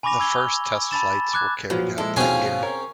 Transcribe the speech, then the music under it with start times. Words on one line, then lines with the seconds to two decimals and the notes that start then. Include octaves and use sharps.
The first test flights were carried out that year.
0.03 G#5 B5 C#6 D6 A#6 F7
0.20 E6 G#6 G7
0.91 A5 B5 A6 E7
1.34 D6 F#6 G#6
1.70 A#2 F3 F#3 B4
1.98 G#3 E4 A4
2.16 D#2 B2 C4 C#4 G#4 F5 G#5
2.63 A#4 C#5